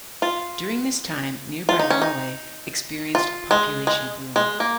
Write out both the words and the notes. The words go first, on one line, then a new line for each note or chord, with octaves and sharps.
During this time, nearby Raleigh experienced a population boom.
F4
F4
D#4
C#4
D#4
F4
G#3
G#3
G#3
A#3